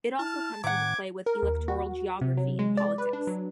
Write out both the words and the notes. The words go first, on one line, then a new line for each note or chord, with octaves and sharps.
It also comes into play with electoral geography and politics.
E4 A5 F6
A2 C3 D#3 F#5 D6 G#6
A#4
D#2
F#4
C3
F#3
G#3
D5
B4
D4
F#3